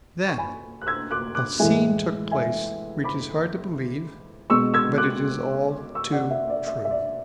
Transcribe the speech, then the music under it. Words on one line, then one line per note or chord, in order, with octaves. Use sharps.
And then a scene took place which is hard to believe, but it is all too true.
C#6
G#5 B5
F#6
E6 G#6
D6 F#6
D6 F#6
A2 E3 G#3 E5 G#5
E5 G#5
B5 D6
B2 G#3 C#6 E6
E6 G#6
D6 F#6
C#6 E6
D5 F#5
E5
D5
E5
E5
D5